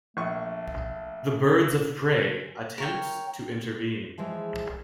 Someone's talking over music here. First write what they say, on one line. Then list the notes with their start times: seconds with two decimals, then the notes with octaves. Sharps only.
The Birds of Prey attempt to intervene.
0.17 A#1 A3 C#6
2.78 A#4 C#5 G5
4.18 E3 F3 G#3 G#4